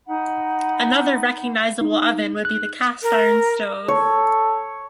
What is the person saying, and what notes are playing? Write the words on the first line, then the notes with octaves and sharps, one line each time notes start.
Another recognizable oven would be the cast-iron stove.
D#4 F#5 B5
D#4
F#6
A#4
A4 C#5